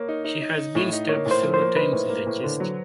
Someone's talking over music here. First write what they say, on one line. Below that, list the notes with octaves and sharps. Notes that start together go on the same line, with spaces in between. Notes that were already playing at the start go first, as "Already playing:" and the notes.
She had been stabbed several times in the chest.
Already playing: A#3 C#5
D#4
D#4
D#4
D#4
A2
D#4
A#3 C#5
A2
C5
F3
C5
A#3
D#4 B4
A2
A#3
A2
D3
F#3